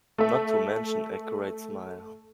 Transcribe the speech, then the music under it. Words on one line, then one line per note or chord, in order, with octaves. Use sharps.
Not to mention a great smile.
A3 E5